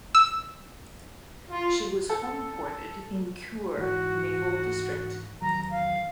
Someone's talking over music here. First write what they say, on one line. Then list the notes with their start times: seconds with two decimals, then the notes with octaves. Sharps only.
She was homeported in Kure Naval District.
0.15 E6
1.50 F4
2.10 A4
3.78 G#2 E3 F#4
5.42 E2 D#3 F#3 A#5
5.71 F5